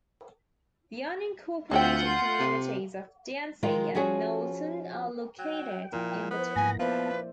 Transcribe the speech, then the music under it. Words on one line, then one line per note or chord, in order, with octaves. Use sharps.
The unincorporated communities of Dancy and Knowlton are located in the town.
D2 F4 G#4 C5 E5 F#5 G5 G6
C6
C3
D#3 G#3 D#4 F4
F3 C#4 F#4 G#4
F#3 G5
A#2 F3 E4 A#4
B3 C5
G#2 A#3 E4 G#5 A#6
F3 B3 B4 C5 D5 E5 A5